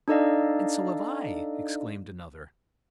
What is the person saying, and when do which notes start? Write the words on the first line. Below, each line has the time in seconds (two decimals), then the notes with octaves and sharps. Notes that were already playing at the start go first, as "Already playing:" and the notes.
"And so have I," exclaimed another.
0.08 D4 D#4 A4 D5 D#5 F5